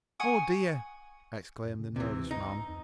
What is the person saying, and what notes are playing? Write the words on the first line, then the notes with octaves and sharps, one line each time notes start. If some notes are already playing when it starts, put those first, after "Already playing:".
"Oh, dear!" exclaimed the nervous man.
F#5 G#5 C#6 D#6
F#2
C#3
D2 C3 E3
D#4
F2